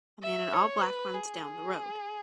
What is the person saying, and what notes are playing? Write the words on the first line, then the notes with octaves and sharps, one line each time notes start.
A man in all black runs down the road.
E5
C#5
B4
G#4